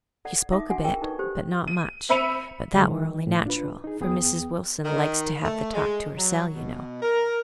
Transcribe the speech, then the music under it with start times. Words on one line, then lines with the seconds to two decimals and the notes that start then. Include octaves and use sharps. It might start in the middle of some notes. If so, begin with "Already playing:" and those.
She spoke a bit, but not much; but that were only natural, for Mrs. Wilson likes to have the talk to hersel, you know.
0.25 A4 D5 F#5
0.51 D#4 E5 D6 D#6
0.70 D4 F#4 F#5 G#5
0.84 G#4 A#4 G5
1.02 D#4 A4 B4 D5 C#6
1.19 G4 A4 C5
1.68 D#7
2.09 C4 E5 B5 C#7 D#7 F7
2.73 F#2 D3 F#3 G#3
2.89 D#3
3.27 A2
3.46 D4 F4 B4
3.84 D#4 G#4
4.01 E2 B3 G#4 G5 D#6
4.85 D#3
5.44 A3
5.74 G#3
6.17 F#3
6.54 B2
7.02 A#4